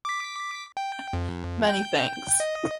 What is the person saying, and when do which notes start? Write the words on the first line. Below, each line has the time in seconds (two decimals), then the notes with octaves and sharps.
Many thanks.
0.05 D6 B6
0.77 G5
1.13 F2
1.67 G5 G6
2.40 D#5